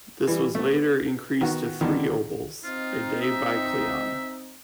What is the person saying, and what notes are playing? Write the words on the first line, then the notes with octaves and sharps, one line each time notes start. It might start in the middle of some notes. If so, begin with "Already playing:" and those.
This was later increased to three "obols" a day by Cleon.
E3 G3
A3 B3
B3
D#3 B3 F#4
B2 D3 D#3
C4 D#4 F4
E5